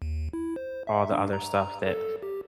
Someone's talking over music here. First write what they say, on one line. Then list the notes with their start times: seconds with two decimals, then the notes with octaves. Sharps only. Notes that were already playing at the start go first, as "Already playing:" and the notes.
all the other stuff that
0.02 D#2
0.33 E4
0.56 C5
0.87 E5
1.12 D4
1.33 A#5
1.87 A4
2.23 G4